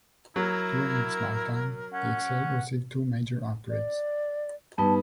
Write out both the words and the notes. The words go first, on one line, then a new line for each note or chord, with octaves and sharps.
During its lifetime, the Excel received two major upgrades.
F#3 E4 A#4
C#4 F#5
D5
G2 B3 D#4 B4 A5